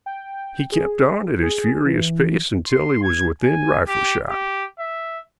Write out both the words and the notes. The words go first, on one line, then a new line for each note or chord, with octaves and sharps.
He kept on at his furious pace until he was within rifle shot.
G5
G#4
G#4
E3
C6
G#6
G#5
G4
G4
E5